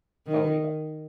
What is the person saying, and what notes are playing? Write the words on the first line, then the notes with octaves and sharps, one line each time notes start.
Oh, yeah.
D#3